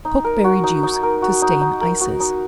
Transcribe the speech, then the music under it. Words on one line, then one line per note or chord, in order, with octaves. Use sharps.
Pokeberry Juice to Stain Ices.
D#4
A#4
F#4
D#4
D#4
A#4
F#4
D#4
D#4
A#4
F#4
D#4